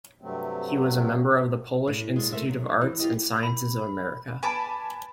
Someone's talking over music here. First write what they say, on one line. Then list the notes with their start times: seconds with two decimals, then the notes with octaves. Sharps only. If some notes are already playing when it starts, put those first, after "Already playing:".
He was a member of the Polish Institute of Arts and Sciences of America.
0.22 G2 C3 F#3 A3 C4
1.87 A2
2.16 A#2 G#3
2.32 A3 A#4 C5 E5
2.49 F#3
2.81 E3
2.99 F4 G4 D#5
3.43 B5
4.43 B4 G#5 A5 B5 D6